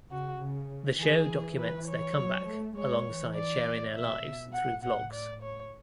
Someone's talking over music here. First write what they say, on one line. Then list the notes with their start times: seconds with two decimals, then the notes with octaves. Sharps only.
The show documents their comeback alongside sharing their lives through vlogs.
0.11 C#3 F#4
0.41 C#3
1.00 E3 G#4
1.58 B4
1.88 C#5
2.17 F#3
2.47 A3
2.77 G#3 C#5
3.06 E3
3.36 D5
3.94 B2 E5
4.24 B2
4.53 F#5
4.83 A2 F#5
5.13 D5
5.42 C#5